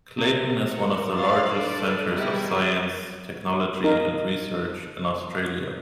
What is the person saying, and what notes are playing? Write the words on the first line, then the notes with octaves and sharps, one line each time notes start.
Clayton is one of the largest centres of science, technology and research in Australia.
C3
F#4 A#4
F5 A6
D4 A4 B4 D5
D#3 G3 G#3 B3 E4
D#4 A#4